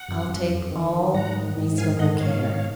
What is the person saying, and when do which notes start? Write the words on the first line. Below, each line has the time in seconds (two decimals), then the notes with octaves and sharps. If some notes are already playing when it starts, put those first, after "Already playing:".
"I'll take all reasonable care."
Already playing: F#5
0.08 F#2
0.30 F#2
0.50 F2
0.71 D#3
0.93 D#3
1.14 G#2 F#5 A#5
1.36 D#3
1.57 G#2
1.78 D#3 F5 G#5
1.99 G#2 D#5 F#5
2.20 G#2 C#5 F5
2.42 D#3